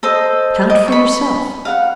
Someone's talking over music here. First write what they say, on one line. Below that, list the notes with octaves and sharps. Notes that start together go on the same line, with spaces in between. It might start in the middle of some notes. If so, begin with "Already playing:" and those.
"Count for yourself."
A4 C5 D#5
D#5 D6
B5 C#6
F5 F#5